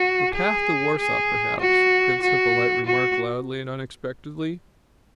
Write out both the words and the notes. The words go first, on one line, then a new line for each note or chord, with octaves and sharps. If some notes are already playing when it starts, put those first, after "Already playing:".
"The path to Warsaw, perhaps," Prince Hippolyte remarked loudly and unexpectedly.
Already playing: F#4
G#4
G#4
F#4
F#4
F#4